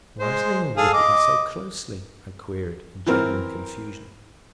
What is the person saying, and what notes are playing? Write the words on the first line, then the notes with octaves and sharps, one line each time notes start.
"Why do they all look at me so closely?" I queried, in genuine confusion.
G#3 C5
G#4 A4 F5
D#5 D6
E3 C4 A#4 C5 F6